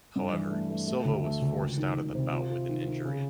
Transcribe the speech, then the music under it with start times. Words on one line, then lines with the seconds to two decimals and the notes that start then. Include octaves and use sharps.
However, Silva was forced out of the bout with an injury.
0.16 G2
0.33 E3
0.51 A3
0.69 A3
0.88 A3
1.05 D2
1.24 A3
1.42 D2
1.59 C#2
1.77 D#3
1.97 C#2
2.15 C3
2.32 F4
2.50 F4
2.69 D#3
2.87 D#3
3.05 C#3